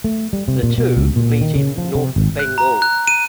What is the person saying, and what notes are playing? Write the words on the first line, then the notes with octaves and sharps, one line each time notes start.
The two meet in North Bengal.
A3
G3
C3
A#2
B2
C#2
A#2
D#3
C#3
F3
C3
G#1
F#6
A#5
F#6
D#7